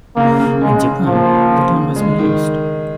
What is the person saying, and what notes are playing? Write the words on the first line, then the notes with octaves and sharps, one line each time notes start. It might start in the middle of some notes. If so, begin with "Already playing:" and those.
In Japan, the term has been used.
C#3 A#3
C#3
C#3 G#3
C#3
F3 A#3
F4
C#3
C#3
G#3
D#3